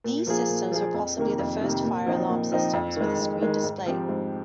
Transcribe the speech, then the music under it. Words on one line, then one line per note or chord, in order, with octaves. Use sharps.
These systems were possibly the first fire alarm systems with a screen display.
A#2
F3 A#3 F4 G#4
A#2
F3 A#3 F4 G#4
F2
C3 D#3 A#3
F2
C3 D#3 A#3
A#2
F3 C4 D#4
A#2
F3 C4 D#4
F2
D#3 G#3
F2
D#3 G#3
G#2
F3 C4 G4
G#2